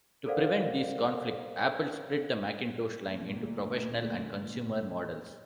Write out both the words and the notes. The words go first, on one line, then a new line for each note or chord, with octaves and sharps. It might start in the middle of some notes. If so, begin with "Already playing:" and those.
To prevent these conflicts, Apple split the Macintosh line into professional and consumer models.
A4 A#4 C5 D5 F5 F#5
D2 A#2